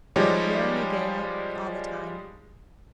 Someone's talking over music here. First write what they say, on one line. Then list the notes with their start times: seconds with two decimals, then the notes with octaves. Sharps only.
Blowing a gale all the time.
0.16 F3 G3 G#3 D#4 G4 C#5